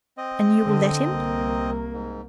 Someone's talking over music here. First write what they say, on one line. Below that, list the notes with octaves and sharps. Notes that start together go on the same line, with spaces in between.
"And you will let him?"
C4 D#5
D3
C2 A#3
G#2